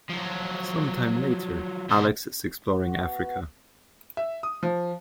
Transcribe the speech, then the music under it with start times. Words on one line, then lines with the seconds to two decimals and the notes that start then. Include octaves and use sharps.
Some time later, Alex is exploring Africa.
0.10 F3 F#3
1.90 B2 C5
2.72 F#4
2.98 B2
3.22 B3
4.17 E5
4.43 D#6
4.63 F3